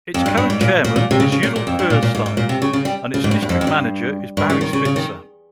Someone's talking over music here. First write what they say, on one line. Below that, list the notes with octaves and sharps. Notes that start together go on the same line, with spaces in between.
Its current chairman is Yidel Perlstein, and its district manager is Barry Spitzer.
F2
G2
G2
G#2
A#2
A#2
A#2
C3
C#3
C#3
A#2
A#2
F2
G2
A#2
A#2
G#2
G#2
A#2
C3
C#3
C#3
G3
C#3
G#2
G2
G2
F2
F2
G2
G2
C#3
D#3
C#3
C#3
D#3